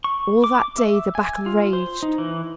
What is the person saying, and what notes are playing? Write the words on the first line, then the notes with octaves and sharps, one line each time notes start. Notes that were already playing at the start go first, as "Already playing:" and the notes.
All that day the battle raged.
C#6
D6
E5
G#5
F4
C5
D#4
E3